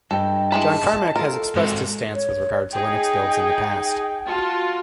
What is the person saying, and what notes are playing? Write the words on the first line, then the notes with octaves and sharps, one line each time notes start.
John Carmack has expressed his stance with regard to Linux builds in the past.
G2 A4 D#5 G5
E3 G#3 A5 B5
F4 A4 A#4
G#2 G#3 C4 F#4
C#5
D#4 G#4 G5
F4 F#4 A5